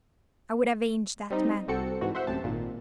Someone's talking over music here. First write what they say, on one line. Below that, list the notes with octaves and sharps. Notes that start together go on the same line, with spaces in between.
'I would avenge that man.'
G3 C4 D#4
C2 C4 F#4 A4 C#7
G#2 E3 F#4
C5 E5 F#5
A1 F#2 C3 A5
G#1 A#2